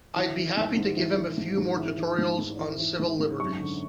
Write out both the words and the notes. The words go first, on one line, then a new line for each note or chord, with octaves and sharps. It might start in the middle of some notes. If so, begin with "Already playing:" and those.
I'd be happy to give him a few more tutorials on civil liberties.
E3
E3
G#2
G#2
E3
E3
G#2
G#2
E3
E3
G#2
G#2
E3
E3
G#2
G#2
F#2 C#6
D3